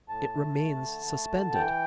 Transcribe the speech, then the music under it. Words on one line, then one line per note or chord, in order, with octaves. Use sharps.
It remains suspended.
A2 A5
A3
A3
D3
A3
D3
E3 G5